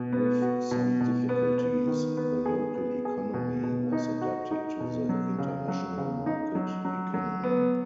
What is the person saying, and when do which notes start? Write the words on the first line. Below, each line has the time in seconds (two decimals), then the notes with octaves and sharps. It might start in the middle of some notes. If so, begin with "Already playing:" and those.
With some difficulties, the local economy was adapted to the international market economy.
Already playing: B2
0.13 B3
0.42 F#4
0.71 B2
1.00 B2
1.29 B3
1.58 B3
1.87 D#3
2.17 B3
2.46 G#4
2.75 B3
3.05 G#4
3.34 B2
3.63 B2
3.92 D#4
4.21 F#4
4.51 D#4
4.80 B2
5.09 F#3
5.38 C#3
5.68 F#3
5.97 C#3
6.26 D#4
6.55 F#3
6.85 F#3
7.14 F#3
7.43 B3